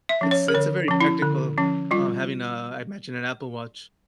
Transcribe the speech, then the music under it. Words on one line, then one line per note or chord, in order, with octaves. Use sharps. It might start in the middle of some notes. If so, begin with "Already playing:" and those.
It's it's a very practical um, having a, I imagine, an Apple Watch.
E5
F3 C#4
C#5
A#4
D3 C#5
F3 C#4
E4
D3
F3 C#4
G3 F4